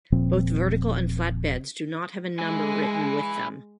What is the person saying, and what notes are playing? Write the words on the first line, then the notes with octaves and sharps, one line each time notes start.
Both vertical and flat beds do not have a number written with them.
D#1 A#2 F3 C4
G#3 E4 G#5